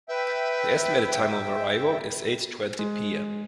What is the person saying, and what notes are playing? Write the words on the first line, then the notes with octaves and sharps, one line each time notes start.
The estimated time of arrival is eight twenty pm.
B4 E5 G5
G#3